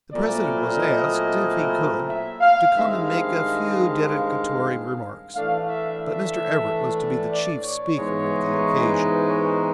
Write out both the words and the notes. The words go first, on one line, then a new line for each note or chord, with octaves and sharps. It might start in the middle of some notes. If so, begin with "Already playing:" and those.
The President was asked, if he could, to come and make a few dedicatory remarks, but Mr. Everett was to be the chief speaker of the occasion.
A#2 F#3 A3 C4 E4 D5
D#5
E5
F5
G2 D#3 G#3 C4 E5
F5
F5
A2 E3 A3 D4 F5
E5
E5
D5
C#5
G#2 E3 G#3 B3 D#4
C#5